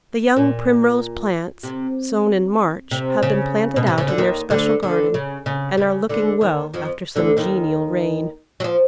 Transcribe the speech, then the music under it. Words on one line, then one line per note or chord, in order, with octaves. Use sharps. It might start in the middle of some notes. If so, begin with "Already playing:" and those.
The young Primrose plants, sown in March, have been planted out in their special garden, and are looking well after some genial rain.
A#2
C3
C3
C#3
B2
C3
C#3
D3
D#2 D#3
D2 D3
D2 D3
C#3
C#3
C#3
D2 D3
D#2 D#3
F2 F3
D2 D3
D#2 D#3
F#3
F3